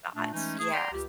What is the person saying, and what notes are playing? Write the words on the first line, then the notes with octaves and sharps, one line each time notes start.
Thoughts yeah, s
A#2 A3 D4
E3 G#3 A3 C#4 D#4
A3 G#4
D5 F#5 G5 A#5 C6
C#2 G4